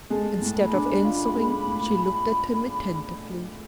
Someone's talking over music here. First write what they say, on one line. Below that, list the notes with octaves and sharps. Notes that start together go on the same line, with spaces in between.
Instead of answering, she looked at him attentively.
G#3 A5
A2
B5
D4
F4
G#3
A2